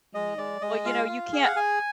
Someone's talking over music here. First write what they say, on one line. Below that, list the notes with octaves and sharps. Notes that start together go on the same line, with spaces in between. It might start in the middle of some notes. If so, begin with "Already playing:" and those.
Mhm, well, you know, you can't
G#3 D#5
G#3 D5
G#3 D#5
F4 F5
F4
G#4
F#5
G#4 G#5